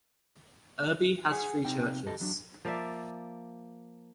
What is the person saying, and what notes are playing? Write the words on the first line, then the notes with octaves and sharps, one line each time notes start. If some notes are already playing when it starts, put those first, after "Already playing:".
Irby has three churches.
G#4 F#5 G#5
C3 C4 D#4 G5
C2 F#2 G4 A4 D#5
E2 F#3 D4
F3 A#3 D5 E5